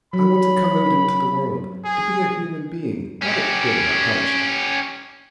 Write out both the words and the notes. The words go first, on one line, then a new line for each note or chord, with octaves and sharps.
I wanted to come out into the world, to be a human being--not a thing in a hutch.
F#3 B5
G#4
C#4 G4